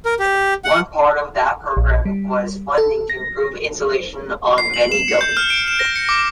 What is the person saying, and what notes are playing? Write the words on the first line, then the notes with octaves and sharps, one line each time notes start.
One part of that program was funding to improve insulation on many buildings.
A#4
G4
F#5
A#1
G3
A4
A#6
C7
F#7
E7
C#7
G6
F6
D7
E7
A#6
C#7
D6